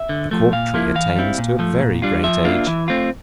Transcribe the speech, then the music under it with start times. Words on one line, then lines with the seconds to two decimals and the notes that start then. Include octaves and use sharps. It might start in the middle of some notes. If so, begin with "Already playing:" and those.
The Cork Tree attains to a very great age.
Already playing: E5
0.09 D3
0.31 F3 A3
0.52 A#2 F5
0.74 F3 A#3 E4
0.95 E3 F5
1.16 G3 C4 E4
1.38 A#2
1.59 F3 A3
1.80 A#2
2.02 G3 D4 F4
2.24 F3 E5
2.45 A#3 D4 F4
2.67 E3
2.88 A3 C4 F4